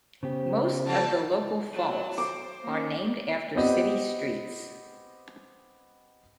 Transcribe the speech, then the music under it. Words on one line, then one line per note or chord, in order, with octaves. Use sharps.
Most of the local faults are named after city streets.
C#3 B3 G4 C5
D3 F3 A4 A5
F#3 A5
C5 D6
A#3 C#4
B3 C4 G4 D#5